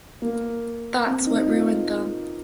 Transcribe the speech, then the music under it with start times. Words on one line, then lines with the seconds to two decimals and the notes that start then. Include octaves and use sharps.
That's what ruined them.
0.22 A#3
1.06 C4
1.27 D#4
1.48 F4